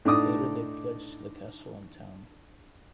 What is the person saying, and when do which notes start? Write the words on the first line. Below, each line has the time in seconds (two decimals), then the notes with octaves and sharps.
Later, they pledged the castle and town.
0.05 A2 D4 D#4 D6 D#6